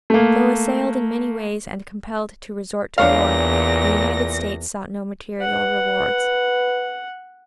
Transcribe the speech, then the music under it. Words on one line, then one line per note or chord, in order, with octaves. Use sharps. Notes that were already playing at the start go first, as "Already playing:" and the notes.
Though assailed in many ways and compelled to resort to war, the United States sought no material rewards.
A3 A#3
E2 A#2 D4 C#5 F5 A#6
B4 F#5